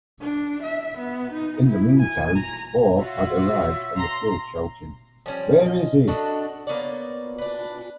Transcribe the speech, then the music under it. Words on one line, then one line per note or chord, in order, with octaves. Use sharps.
In the meantime, Baugh had arrived on the field shouting 'Where is he?
D4
E5
B3
D#4
E4
G#5
A#5
F4 F#4 C#5 E5
A#5 C6
F3 G3 C#4
D#5
A3 D4 F#4 D#5
A#3 B3 C#5 D5
D4 B4